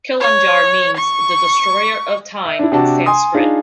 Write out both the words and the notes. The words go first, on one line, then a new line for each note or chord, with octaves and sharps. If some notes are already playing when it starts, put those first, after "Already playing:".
Kalinjar means "The destroyer of time" in Sanskrit.
C#5
C#6
E5
D4 E4
C3 D4 F#4 A5
G#5 C6 D#6
D4 D#4 F4 G#4